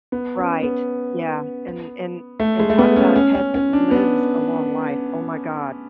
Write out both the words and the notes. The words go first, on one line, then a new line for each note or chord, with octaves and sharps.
Right, yeah, and and and talk about a pet that lives a long life, oh my god,
B3
C#4
B3
A3
G#3
A3
B3
C#4
C#4
C#4
C#4
D4
B3